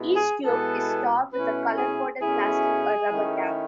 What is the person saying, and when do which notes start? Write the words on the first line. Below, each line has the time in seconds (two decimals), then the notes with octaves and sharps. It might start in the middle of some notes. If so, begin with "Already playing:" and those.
Each tube is topped with a color-coded plastic or rubber cap.
Already playing: B2 G#3 B3 E4
0.15 G#4
0.45 B2 G#3 B3 E4 A4
1.33 B2 A3 C#4 E4 B4
1.78 G#4
2.22 B2 A3 C#4 E4 G#4
3.11 D#3 A3 C#4 E4